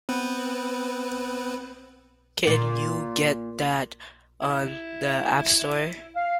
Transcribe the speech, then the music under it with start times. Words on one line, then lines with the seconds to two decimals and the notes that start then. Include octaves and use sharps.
Can you get that on the App Store?
0.09 B3 C4 B4
2.47 A#2
4.42 E4
6.15 F5